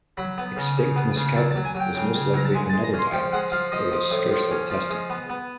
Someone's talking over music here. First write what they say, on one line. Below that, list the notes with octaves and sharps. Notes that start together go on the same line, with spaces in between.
Extinct Mascouten was most likely another dialect, though it is scarcely attested.
F#3 B5
B3
C#3
C#3
B3
C#3
F#3 A5
A5
F#3
G#5
F#3
G5
C#3
C#3
F#3 A#5
A5
G#3 G#5
A5
G#3
A#5
C#4 C6
F3 G5
G#3 F#5
F3 F5
F3 D#5
F3
A2
F3
C#4
F3
G#3
B3
B3